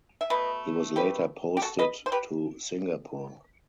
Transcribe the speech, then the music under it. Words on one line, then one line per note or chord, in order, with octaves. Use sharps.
He was later posted to Singapore.
E5
B2 A3 B4 D#5
G4 B4
G4
F#4 A4
B4 D#5
C5
G4 B4